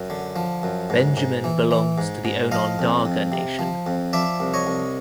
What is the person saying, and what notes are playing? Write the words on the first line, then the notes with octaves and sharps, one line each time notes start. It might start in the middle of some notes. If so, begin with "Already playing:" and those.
Benjamin belongs to the Onondaga Nation.
Already playing: F#2
D3
F3
F#2
G#2
G#2
E3
E3
G#2
G#2
F3 D#5 F5
F2
F2
C3
F3
F2
F3 D5 E5
C2
C#5 D#5
C2